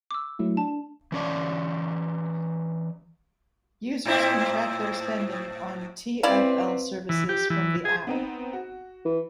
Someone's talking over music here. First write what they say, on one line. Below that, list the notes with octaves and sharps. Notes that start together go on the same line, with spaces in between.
Users can track their spending on TfL services from the app.
D6 E6
F#3 A3 E4
D4 A5
E3 C#4 D5
A2 C4 E4
C4 C#4 E4 B4 D5 F5
E3
G4
E3
G#4
B3 C4 D#4
F#4
E3